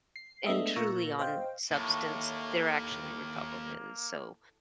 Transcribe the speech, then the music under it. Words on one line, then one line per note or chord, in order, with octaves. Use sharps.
And truly on substance, they're actually Republicans. So
C7
G#3 A3 B3 D4 D#5 E5
A#2 F4 A#4 C#6 E6 A#6
C5 D#5 F5 G5
D#2 A2 A#3